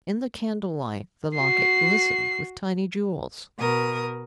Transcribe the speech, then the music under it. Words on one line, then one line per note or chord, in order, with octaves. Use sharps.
In the candle-light the locket glistened with tiny jewels.
F#4 C7
B2 A#4 D#6